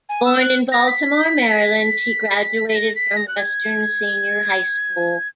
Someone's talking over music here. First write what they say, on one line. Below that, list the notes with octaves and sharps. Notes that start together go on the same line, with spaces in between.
Born in Baltimore, Maryland, she graduated from Western Senior High School.
G#5
E6
F#6
A#6
B6
B6
A#6
B6
A#6
F#6
G#6